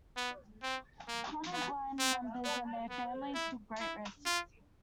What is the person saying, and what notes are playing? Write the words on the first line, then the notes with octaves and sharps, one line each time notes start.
Comet Line members and their families took great risks.
B3
C4
A#3
B3
C4
B3
B3
E4
E4
F4